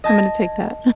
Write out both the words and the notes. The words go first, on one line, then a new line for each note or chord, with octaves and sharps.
I'm gonna take that.
D#5 A5 G#6 A#6